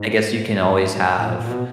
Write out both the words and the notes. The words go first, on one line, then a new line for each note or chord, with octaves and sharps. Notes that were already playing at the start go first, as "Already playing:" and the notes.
I guess you can always have,
Already playing: G#2
A2
A#2
A#2
B2